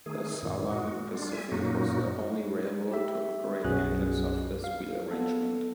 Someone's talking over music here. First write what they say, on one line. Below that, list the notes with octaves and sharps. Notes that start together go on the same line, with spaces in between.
The Southern Pacific was the only railroad to operate engines of this wheel arrangement.
D#3 A3 G#4
F#2 A2 D#3
F#4
G3 D4 F4
E5 G#5
F#2 A#2 F#3 A#3 D#4 F#4
G4 E5
B1 F#2 C#4 F#4 G#4 F#6
F5
B3 A4